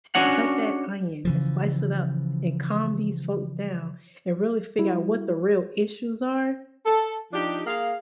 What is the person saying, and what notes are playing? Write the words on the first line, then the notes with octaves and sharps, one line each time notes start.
and cut that onion, and slice it up, and calm these folks down, and really figure out what the real issues are,
C#4 D4 F#4 C#5 F#5
C#3 E3 F3
G3 E4 F#4
A4
F3 D4 D#4 G4
A#3 G#4 F5